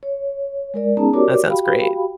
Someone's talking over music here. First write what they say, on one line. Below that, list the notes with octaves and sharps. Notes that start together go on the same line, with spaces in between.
That sounds great.
C#5
G#3 A#4 D5
B3 C#4 D#4 G#4 A5 A#5
F#4 G4 A#4 C#5 D5 D6
F#4 G4 F5 G5 B5